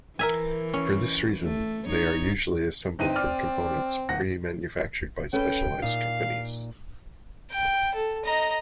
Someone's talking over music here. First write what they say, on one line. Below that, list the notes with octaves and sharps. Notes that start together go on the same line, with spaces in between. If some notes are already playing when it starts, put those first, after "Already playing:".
For this reason they are usually assembled from components pre manufactured by specialized companies.
E3 A#4 E5 G#5
C#4
A3
D#4 C#5
G1 C4 D#4 D#7
D5 F6
D#1 F#5 A#6
C#4 A4 B4 G5
A#2 D#4 F5
G5
A4
D#5 A#5